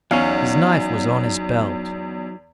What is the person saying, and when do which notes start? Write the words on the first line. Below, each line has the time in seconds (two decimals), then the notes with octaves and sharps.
His knife was on his belt.
0.11 E2 F#3 C#4 D#4 F5 F#5